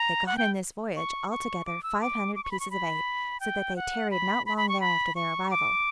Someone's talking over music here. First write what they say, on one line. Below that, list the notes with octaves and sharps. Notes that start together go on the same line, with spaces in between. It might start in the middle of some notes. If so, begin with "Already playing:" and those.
They got in this voyage, all together, five hundred pieces of eight; so that they tarried not long there after their arrival.
Already playing: A#5
F#5
G5
C#6
C#6
D6
E6
D6
D6
C#6
B5
C#6
B5
G5
F#5
B5
B5
B5
C#6
B5
C#6
D6